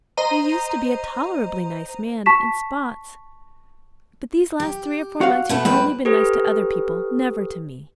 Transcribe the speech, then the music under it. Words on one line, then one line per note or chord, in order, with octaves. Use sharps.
You used to be a tolerably nice man--in spots, but these last three or four months you have only been nice to other people, never to me.
C5 D#5 A#5 D#7
A5 C#6 B6 E7
G4
F#4 F5 F#5
B2 A3 B3
F#2 A2 G#3 C4 B4
G4 A4 B4 C5